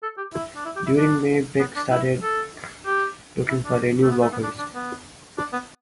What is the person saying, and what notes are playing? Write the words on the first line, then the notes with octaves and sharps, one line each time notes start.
During May, Beck started looking for a new vocalist.
A4
G4
E4
D4
E4
G4
E4
D4
B3
D4
E4
A4
G4
E4
D4
A3
B3
A3
B3
D4
D4
B3
D4
B3